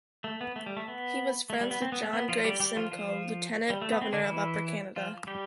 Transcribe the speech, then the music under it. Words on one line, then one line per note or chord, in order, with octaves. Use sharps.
He was friends with John Graves Simcoe, Lieutenant Governor of Upper Canada.
A3
B3
A3
G3
A3
B3
A3
G3
B3
C4
B3
A3
B3
F3 F4
G3 G4
G3 G4
F3 F4
F3 F4
G3
A3
B3
C4
D3 D4
E3 E4
F3 F4
G3 G4